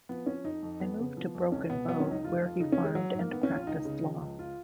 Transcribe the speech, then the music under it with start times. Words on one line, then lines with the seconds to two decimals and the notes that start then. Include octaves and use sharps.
They moved to Broken Bow where he farmed and practiced law.
0.09 F3 B3
0.26 F3 C#4
0.44 F2 D#4
0.63 F2
0.80 F2 B3
0.99 C#3
1.17 F3
1.35 F2
1.52 C#2 C#4
1.70 B2 B3
1.88 F#3 B3
2.00 C#4
2.06 C#2
2.11 D#4
2.24 F1 F4
2.42 F2
2.60 C#3 D#4
2.72 C#4
2.78 F1
2.84 G#3
2.95 F#3
3.14 G#2
3.19 A#3
3.31 D#3 B3
3.43 C#4
3.50 A#1
3.55 F4
3.67 C#2 D#4
3.85 C#3
4.03 F3
4.21 C#2
4.39 F4